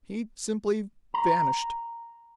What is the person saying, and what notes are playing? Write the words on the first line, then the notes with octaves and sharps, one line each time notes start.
He simply--vanished.
A#5